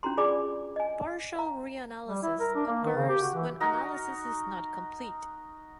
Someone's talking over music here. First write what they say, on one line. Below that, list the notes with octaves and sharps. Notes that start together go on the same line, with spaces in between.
Partial reanalysis occurs when analysis is not complete.
C#4 D4 F4 F#4 A#5 C6
F4 G#4 D5 G#5 B5 D6
D#5 G#5
F5 A#5
G3
E4
A#4
D4
A#3
D#3
C#3
G4
F#4
E3
D#4 F#4 A#4 D#5